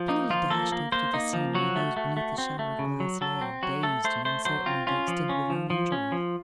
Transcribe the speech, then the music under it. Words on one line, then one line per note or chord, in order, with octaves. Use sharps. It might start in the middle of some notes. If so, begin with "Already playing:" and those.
Kennedy dashed over to the scene where those beneath the shower of glass lay, dazed and uncertain of the extent of their own injuries.
Already playing: F3
A#3 D#4
F3 F4
A#3 A4
A#3
A#3 C5
A#3 D#4
F3
F#3 F#4
A3
A3
A3
C4
A3
C#3
F#3
F#3 A4
C4
F#3 F#4
A3 A4
A3 C5
A3 C5
F#3 C5
C4 F4
C#4 F4
F3
C#4
F3
F3
C#4
F3